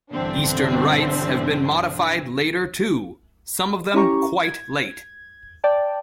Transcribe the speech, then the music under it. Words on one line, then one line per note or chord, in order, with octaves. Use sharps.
Eastern rites have been modified later too; some of them quite late.
B1 G2 D3 E3 C4 D4
C#4 E4 G4 A#5 C#6
G#6
D5 G5 A5